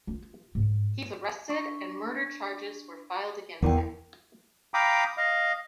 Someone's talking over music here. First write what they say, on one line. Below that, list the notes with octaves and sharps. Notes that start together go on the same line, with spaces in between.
He was arrested and murder charges were filed against him.
F4
G#2
D4 C#6
E2 E3 A#4 G5
F5 G5 A#5 B5 D6 D#6
D#5 F5